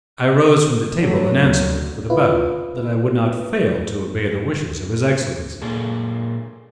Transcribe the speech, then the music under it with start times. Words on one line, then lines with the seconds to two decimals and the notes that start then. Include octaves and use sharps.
I rose from the table and answered, with a bow, that I would not fail to obey the wishes of his excellency.
1.00 E3 F#3 A3
1.43 D2
2.10 E4 F4 B4
5.62 A#2 A#3 G#4 A4